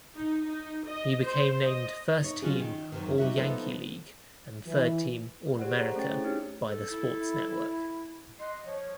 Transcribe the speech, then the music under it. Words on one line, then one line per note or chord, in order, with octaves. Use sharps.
He became named first-team All-Yankee League and third-team All-America by The Sports Network.
D#4
D#4
D#5
C5
D#5
D#4 C#5
C#3 F#3 C#4 F4 F#4 G#4
D#3
F#2 C3 D#3
G3 D#4 F#4 E5
F3 B3 D#4 A4 C5
E3
B4
G4 G#4 C5 D5 F#5
A4 C5 A#5
A3 C#4 C#5 G5 A6
E4 G#4
D4 D#4 G4 C#5
A4
E4
D#5 F#5 C6
F3 C#5